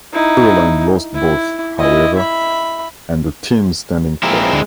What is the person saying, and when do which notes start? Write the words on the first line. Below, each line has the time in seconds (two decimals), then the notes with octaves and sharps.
Maryland lost both, however, and the team's standing fell.
0.13 D#4 E4
1.14 E4
1.78 E4 D#5
2.16 E5 B5
4.23 F3 G#3 A#3 C4 E4
4.53 D2 D3